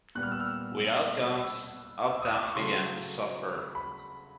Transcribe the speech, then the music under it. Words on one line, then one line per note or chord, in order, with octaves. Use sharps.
Without Combs, Uptown began to suffer.
A#2 G3 B3 F#6
F6
E6
F6
E6
E6
D#6
D6
C#6
C#3 F#3 A3 C6
B5